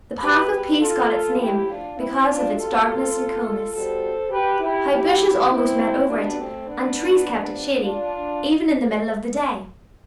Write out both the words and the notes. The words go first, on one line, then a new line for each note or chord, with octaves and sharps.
The Path of Peace got its name because of its darkness and coolness. High bushes almost met over it, and trees kept it shady, even in the middle of the day.
B2 G3 G4 B4
G4 B4
F4 A4
A2 F3 E4 G4
D4 F4
C4 E4
D4 F4
B2 G3 F4 A4
B2 G3 A4 C5
G4 B4
E4 G4
A2 F3 E4 G4
C4 E4
B2 G3 B3 D4
A3 C4
B3 D4
C3 F3
D4 F4